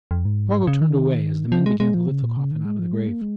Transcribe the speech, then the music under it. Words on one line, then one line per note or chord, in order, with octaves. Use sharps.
Spargo turned away as the men began to lift the coffin out of the grave.
F2
G#2
C#3
D#3
F3
G#3
G#3
F3
C#3
A#2
C#3
D#3
G#3
F3
G#3
A#3
G#3